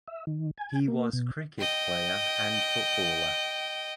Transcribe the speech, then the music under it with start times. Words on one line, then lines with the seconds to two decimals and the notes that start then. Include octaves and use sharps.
He was cricket player and footballer.
0.08 E5
0.27 D#3
0.58 G#5
0.88 A#3
1.13 B2
1.59 D#5 G5